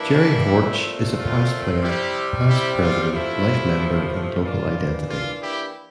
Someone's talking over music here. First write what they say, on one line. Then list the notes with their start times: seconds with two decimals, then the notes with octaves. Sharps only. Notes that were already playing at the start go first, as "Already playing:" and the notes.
Gerry Horch is a past player, past president, life member, and local identity.
Already playing: E3 G3 A#3 D4 E4
0.52 A#2 A3 C4
1.17 F4
1.82 C3 G3 C4 E4 G4
2.47 E4 G4
2.80 F4
3.13 C3 F3 A3 D4 E4
4.42 E3 A#3 D4 F4
5.08 F4
5.40 E4 G4